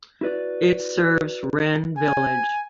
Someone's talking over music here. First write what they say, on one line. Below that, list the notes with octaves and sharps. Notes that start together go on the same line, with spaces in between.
It serves Ren village.
E4 F#4 B4 D5
G#5